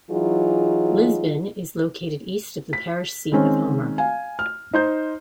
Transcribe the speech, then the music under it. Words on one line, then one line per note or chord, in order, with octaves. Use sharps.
Lisbon is located east of the parish seat of Homer.
E3 F#3 D#4 F4 F#4 G#4
B6
D#3 G#3 C4 C#4
F5 G#5
F6
D#4 C5 G6